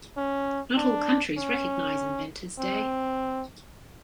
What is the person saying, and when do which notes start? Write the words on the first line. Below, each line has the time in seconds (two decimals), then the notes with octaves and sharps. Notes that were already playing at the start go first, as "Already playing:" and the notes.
Not all countries recognise Inventors' Day.
0.18 C#4
0.78 D4
1.38 C#4
2.60 C4